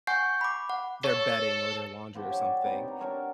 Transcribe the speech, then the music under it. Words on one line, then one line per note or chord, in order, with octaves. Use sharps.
their bedding or their laundry or something,
F#5 G#5 C#6 G6 C7
B5 D6
F#5
A4 C#5
F3 B3 F#4 G4
C#5 E5 G5
D5
C3 B3 D#4 G4
A#5
D4 F#4 A#4 C#5